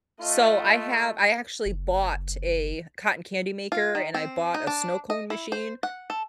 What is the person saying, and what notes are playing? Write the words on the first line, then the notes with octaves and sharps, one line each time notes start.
So, I have I actually bought a cotton candy maker, and I bought a snow cone machine,
A3 F4 D#5
F#1
F4
D#3
C4
D#4
D4
D#5
E4
C5
F#5
A4